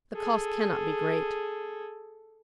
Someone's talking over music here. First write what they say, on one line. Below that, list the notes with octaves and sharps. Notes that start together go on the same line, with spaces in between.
The cost cannot be great.
G#4 A4